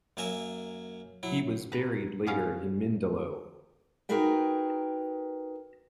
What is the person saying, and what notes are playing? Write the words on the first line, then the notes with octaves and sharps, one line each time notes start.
He was buried later in Mindelo.
F#2 A#3 E5 G#5 A#5
F#3 E4
B4 A#5
B3 C#4 F5
D#4 F#4 G#4 A#4 B4 G5